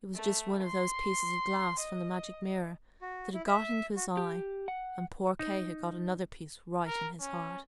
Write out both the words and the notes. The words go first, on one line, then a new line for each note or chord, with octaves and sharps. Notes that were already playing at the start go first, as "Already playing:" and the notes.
It was just one of those pieces of glass from the magic mirror that had got into his eye; and poor Kay had got another piece right in his heart.
A3
C6
D#5
F#4
E4
E5
F#4
G4
F#5
D#4
A#4
C#4